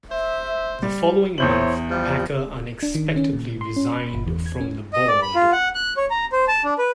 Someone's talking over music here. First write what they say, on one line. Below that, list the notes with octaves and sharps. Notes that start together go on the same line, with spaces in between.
The following month Packer unexpectedly resigned from the board.
C5 E5
G3
E2 E4 C5 C#5 G6 F#7
F3 G3
D4
D#3
C#4
A#2
C6
C#4
B5
G1
E2
G#6
C#4
D#5
D5
B5
F4
F#5
F#6
C#5
A#5
C5
A5
D4
B4